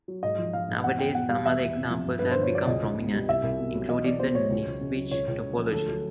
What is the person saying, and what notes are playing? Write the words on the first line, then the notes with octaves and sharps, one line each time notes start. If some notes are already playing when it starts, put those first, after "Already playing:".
Nowadays some other examples have become prominent, including the Nisnevich topology.
F#3
G#2 D#5
F3
F3 F5
G#2
E2 F#5
E2 G5
B2 F#5
G3 F5
E2 E5
E2
C3
F3
G2
G2 B4
D3 C5
C#5
F#3 D5
C#2 D#5
C#2
B2
G3
C2 E5
C2
B2
F#3
E2 D#5
E2 D5
B2 C5
F#3 C#5
C#2
C#2
C#3
F#3
C#2 C#5
C#2
C#3
F3
D2 A4
F#3